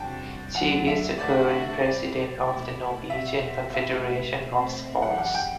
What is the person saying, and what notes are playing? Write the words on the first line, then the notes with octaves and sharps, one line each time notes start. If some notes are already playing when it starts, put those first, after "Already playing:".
She is the current president of the Norwegian Confederation of Sports.
Already playing: E2 C3 G3 D4 F#4 G5 A5
D2 D3 F#3 F#5
E5
D3 A3 D4 F#4 D5
E5
C3 G3 C4 E4 D5
B2 A3 E4
B2 G3 C4 F#4 E5
B2 A3 E4 E5
B2 A3 C4
F#2 E3 G3 F#5
F#5
G5